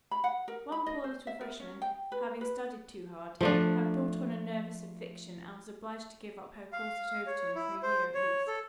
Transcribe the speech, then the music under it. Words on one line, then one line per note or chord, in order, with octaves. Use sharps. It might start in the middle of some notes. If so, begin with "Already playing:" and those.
One poor little freshman, having studied too hard, had brought on a nervous affection and was obliged to give up her course at Overton for a year at least.
B5
F#5
A#4
B5
D#5
C5
E5
A#4
C#4
G5
B4
B4
F3 A3 D4
F5
C#5
E4
C5
C#5
A4